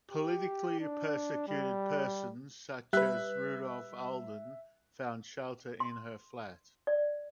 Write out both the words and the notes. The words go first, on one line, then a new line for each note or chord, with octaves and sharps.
Politically persecuted persons such as Rudolf Olden found shelter in her flat.
G4
D4
G3
G3 B4 E5 F#6
C6
D5